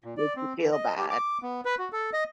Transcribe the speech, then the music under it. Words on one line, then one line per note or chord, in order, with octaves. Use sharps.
make you feel bad
A#2
D5
C4
E3
D#5
G4
D6
B3
B4
F#4
A4
D#5